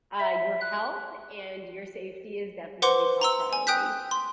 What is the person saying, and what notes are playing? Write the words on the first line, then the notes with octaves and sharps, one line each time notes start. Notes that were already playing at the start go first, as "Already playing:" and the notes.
uh, your health and your safety is definitely top priority.
E5
F#6
B4 C5 F#5 C6 D6
A#5 C6 E6
G#5
G5 D#6 F#6 G6 B6
C6